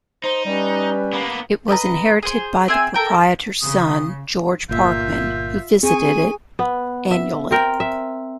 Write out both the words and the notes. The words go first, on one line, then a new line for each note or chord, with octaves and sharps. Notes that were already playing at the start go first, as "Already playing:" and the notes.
It was inherited by the proprietor's son, George Parkman, who visited it annually.
D#4 C5
G3 C#4 G4 B4
A#3 B3
B4 D#5 E5 A#5
G#4 C5
C4 G#4 E5 G#5
A4 A#4 G5
C#3 D#6
G1 A#2 F4 E5 G6
C4 G#4 G#5 C#6
B3
E5
C4 A#4 G5
E5